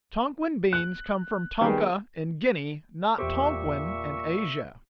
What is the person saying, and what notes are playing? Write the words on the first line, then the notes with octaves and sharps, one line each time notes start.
Tonquin beans come from Tonka, in Guinea, not Tonquin, in Asia.
F#6
D#3 G3 B3 G#4
E2 A#2 G4 C5 E5 C#6 D6